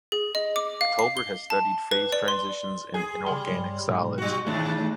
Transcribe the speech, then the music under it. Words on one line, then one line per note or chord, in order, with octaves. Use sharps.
Tolbert has studied phase transitions in inorganic solids.
G#4
D#5
D6
F5
C7
G7
A5
B4
D5
C6
G#4 G#5
C#3 G3 B5 C6
G2 C#5 C6
B1 G#2 D#4
G3 F#4
D#2 G#2 A3 D4